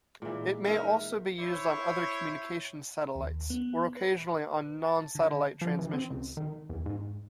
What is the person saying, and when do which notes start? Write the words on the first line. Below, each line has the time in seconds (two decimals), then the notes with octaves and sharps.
It may also be used on other communications satellites, or occasionally on non-satellite transmissions.
0.22 A#2 E3 G#3
0.64 D#4 A#4 E5
1.40 E4 C5 C#5
3.15 D#2
3.50 B3
3.97 B4
4.85 A5
5.15 D3
5.61 F3
5.79 E3
5.94 C4
6.10 C#2
6.37 D#3
6.69 E2
6.86 G#2